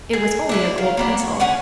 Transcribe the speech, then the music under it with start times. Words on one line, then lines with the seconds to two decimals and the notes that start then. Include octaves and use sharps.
It was only a gold pencil.
0.13 G#4
0.49 D4 E4 G#4
0.78 F5
0.97 A#3 B3 D4
1.19 C#5
1.40 D3 C#4 F#5 G#5